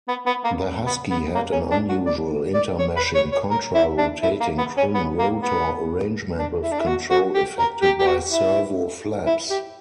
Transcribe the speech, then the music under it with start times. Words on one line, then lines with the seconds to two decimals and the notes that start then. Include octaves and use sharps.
The Huskie had an unusual intermeshing contra-rotating twin-rotor arrangement with control effected by servo-flaps.
0.08 B3
0.26 B3
0.44 A#3
0.86 B3
1.10 B3
1.35 A#3
1.52 C#4
1.71 D4
1.89 F#4
2.06 D5
2.54 D5
2.79 C#5
2.96 B4
3.15 C#5
3.32 C#5
3.50 A#4
3.75 E4
3.98 D4
4.22 E4
4.40 A#3
4.58 B3
4.77 C#4
4.94 B3
5.19 A#3
5.42 B3
6.39 D4
6.62 E4
6.72 D4
6.79 E4
6.87 F#4
7.11 F#4
7.34 G4
7.59 A#4
7.82 G4
7.99 G4
8.06 F#4
8.30 E4
9.26 E4
9.50 G4